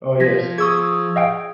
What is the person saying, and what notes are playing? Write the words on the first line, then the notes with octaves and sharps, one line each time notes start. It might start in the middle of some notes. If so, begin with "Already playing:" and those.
Oh, yes.
F3 G#6 A#6 B6
G#4 C#6 D#6 E6 G#6
D#5 F5 G5